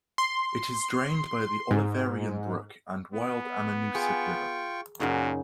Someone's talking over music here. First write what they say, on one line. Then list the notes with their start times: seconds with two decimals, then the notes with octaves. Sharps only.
It is drained by the Oliverian Brook and Wild Ammonoosuc River.
0.18 C6
1.71 G#2
3.13 B3
3.95 F4 G#4 G5 C#6
5.00 F#2 A#2 C#3 D#4 F#4